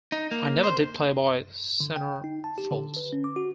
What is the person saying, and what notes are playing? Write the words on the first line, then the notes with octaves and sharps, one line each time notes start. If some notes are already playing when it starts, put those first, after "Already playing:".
I never did "Playboy" centrefolds.
D#4
A#3
C5
D3
G5
D#4
A5
G4
D3
B4
C#4
D6
F#4